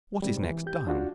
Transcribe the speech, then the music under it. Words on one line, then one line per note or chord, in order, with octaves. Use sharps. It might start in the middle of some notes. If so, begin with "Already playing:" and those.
What is next done?
G#2 C3 G3
E3
G4 G6
D4 F4 F#4